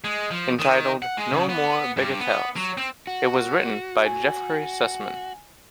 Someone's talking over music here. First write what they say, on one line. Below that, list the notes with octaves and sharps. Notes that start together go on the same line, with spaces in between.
Entitled "No Mere Bagatelles", it was written by Jeffrey Sussman.
G#3
F3
D#3
F#5
G#3
C#3
B3
G2
B3
F#3
C4
F#4
G#5